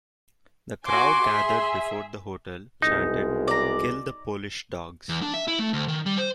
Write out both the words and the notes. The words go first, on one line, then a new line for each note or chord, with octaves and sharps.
The crowd gathered before the hotel chanted Kill the Polish dogs!
F#4 G#5 C6 D6
G#4 E5
C2 B2 G#3 D#4
D5 A#5
E2
D4
E5
E4
A3
D2
D#3
G3
C5